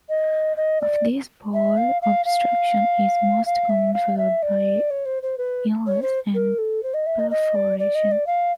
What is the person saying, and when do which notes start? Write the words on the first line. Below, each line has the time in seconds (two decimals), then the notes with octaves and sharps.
Of these, bowel obstruction is most common, followed by ileus and perforation.
0.09 D#5
0.57 D#5
0.81 D5
1.54 E5
1.77 F5
2.02 F5
2.25 F5
3.46 F5
3.69 E5
3.93 F5
4.17 E5
4.42 D5
4.90 C#5
5.06 C5
5.23 C5
5.38 B4
5.87 C#5
6.02 C5
6.35 A#4
6.58 A4
6.83 C5
6.94 D#5
7.06 E5
7.19 D#5
7.31 D#5
7.55 D5
7.79 D5
7.95 D#5
8.11 D5
8.26 F5